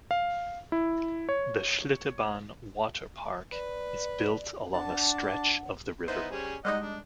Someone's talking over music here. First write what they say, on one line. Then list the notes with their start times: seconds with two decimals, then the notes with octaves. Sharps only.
The Schlitterbahn Water Park is built along a stretch of the river.
0.11 F5
0.72 E4
1.29 C#5
3.52 B4 D5
4.74 D4 F#5 A5
6.08 B3 D#4 E4 C5
6.32 G3 C#4 G#4
6.65 G3 G#3 D#4 D#5 F#5
6.80 D4